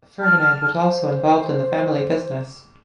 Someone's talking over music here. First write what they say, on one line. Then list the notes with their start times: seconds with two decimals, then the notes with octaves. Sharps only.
Ferdinand was also involved in the family business.
0.21 A5 F6
0.78 C5